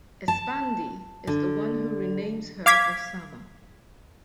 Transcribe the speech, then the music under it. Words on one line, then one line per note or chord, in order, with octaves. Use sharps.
Espandi is the one who renames her Osama.
A5
D3
F5 D6 G#6 B6